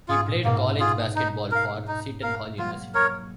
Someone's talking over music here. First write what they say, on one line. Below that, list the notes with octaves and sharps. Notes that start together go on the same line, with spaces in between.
He played college basketball for Seton Hall University.
G#2 F4 G#4
A#2
G#2 B2 A#3
F4 G#4
D#4
A#4 F5
D#4
A#4 F5
F#3 A#3 F4
A#4 C#5